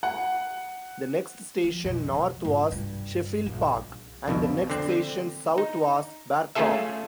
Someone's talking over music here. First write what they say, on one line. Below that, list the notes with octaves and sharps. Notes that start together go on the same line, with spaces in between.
The next station north was Sheffield Park and the next station south was Barcombe.
F#5
F3
F2 B2
F#3
G#2 F4
G2 C3
A#1
C2 F2 B2
D3 C4
D#4
A3 C#4 F4 G#4 A4 E5